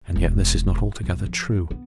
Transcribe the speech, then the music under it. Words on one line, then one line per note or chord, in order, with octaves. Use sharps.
And yet this is not altogether true.
E1
B1
F3
B3